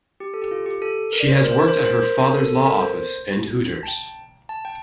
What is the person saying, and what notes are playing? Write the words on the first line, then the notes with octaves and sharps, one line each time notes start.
She has worked at her father's law office and Hooters.
G4
A4
G4
F4
G4
A4
A#4
D5
C5
A#4
C5
A#4
C5
A#4
C5
A#4
C5
A#4
A4
A4
A#4
C5
A5
G5
A5
G5